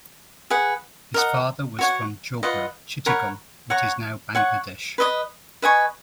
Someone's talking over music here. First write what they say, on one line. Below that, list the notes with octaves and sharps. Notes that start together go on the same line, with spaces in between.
His father was from jobra, Chittagong, what is now Bangladesh.
G#4 B4 F#5
A#4 D#5 F#5
F#4 C#5 F#5
F4 B4 D#5 F#5
A#4 C#5 F#5 B5
C#5 F#5 A#5 C#6
C#5 F#5 C#6
B4 D#5 A#5 D#6
B4 D#5 G#5 C#6